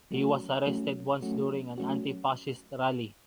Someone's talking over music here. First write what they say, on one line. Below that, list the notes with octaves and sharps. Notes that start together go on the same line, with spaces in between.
He was arrested once during an anti-fascist rally.
F#3 A3 C#4 F#4
F#3 A3 C#4 F#4
F#3 A3 C#4 F#4
F#3 A3 C#4 F#4